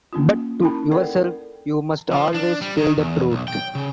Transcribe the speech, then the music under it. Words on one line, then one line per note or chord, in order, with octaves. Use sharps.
But to yourself you must always tell the truth.
A#3 C#4 F4
C#4 D#4 E4 A#4 A5 B5
A4 A#4 D5 F#5 G5
F3
D4
G3
D#3
E2
B1
G5
C#3